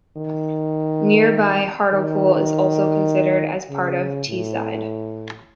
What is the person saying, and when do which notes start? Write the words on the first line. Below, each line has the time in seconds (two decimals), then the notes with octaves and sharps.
Nearby Hartlepool is also sometimes considered as part of Teesside.
0.17 D#3
1.93 D#3
3.70 C#3
4.28 A2